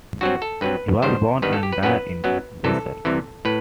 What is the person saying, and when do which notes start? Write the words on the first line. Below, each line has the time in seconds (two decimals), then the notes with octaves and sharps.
He was born and died in Basel.
0.21 G2 F#3 C4 F#4
0.42 A4
0.61 G2 F#3 C4 B4
1.02 G2 D#3 G3 B3 C5
1.42 G2 D#3 G3 B3 B4
1.53 A4
1.63 G4
1.72 B4
1.83 F#2 F#3 B3 B4
2.24 F#2 F#3 B3
2.64 C2 C3 E3 A4
3.05 C2 C3 E3
3.45 A2 B4